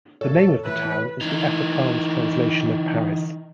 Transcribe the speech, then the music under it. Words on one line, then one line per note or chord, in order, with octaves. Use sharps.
The name of the town is the Afrikaans translation of Paris.
A#2 A4 C#5
A2 E3 B4
E3 D#4